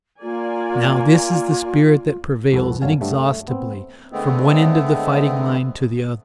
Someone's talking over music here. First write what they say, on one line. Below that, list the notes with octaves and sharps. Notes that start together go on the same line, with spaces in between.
Now this is the spirit that prevails inexhaustibly from one end of the fighting-line to the other.
A#3 F4 D5 G#5
C2 F2 F#4 A4 B4
G1 D3 F#3 C#4 F5 G#5
G2 D3 G3 A3
A3
B3 C4
D3 G#3 A3 B3 C4